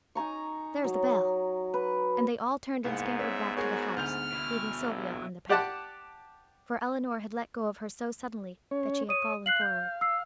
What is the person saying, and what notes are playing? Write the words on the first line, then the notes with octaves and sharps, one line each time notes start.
"There's the bell," and they all turned and scampered back to the house, leaving Sylvia on the path; for Elinor had let go of her so suddenly that she had fallen forward.
D#4 G#5 A#5 C#6
F#3
B4
C2 G#2 A#3 B3
C#4 E5
F#4 G#4 A#4 C#5
D2 F6 G6 F7
B2 E4
A#1
G4 D5 F#5 A5
C#4 C#5
C#5 D#6 D#7
F5 F#6 C7 F#7
G6
E6 C7